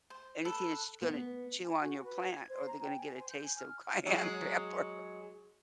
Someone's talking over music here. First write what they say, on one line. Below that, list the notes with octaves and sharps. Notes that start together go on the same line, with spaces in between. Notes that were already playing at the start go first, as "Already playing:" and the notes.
anything that's gonna chew on your plant or they're gonna get a taste of cayenne pepper.
C5
A4 B4
B3
G#5
F#4
B4
G#6
C5
A#5
G5
G#5
C5
G6
G#5
F6
F#3 G#3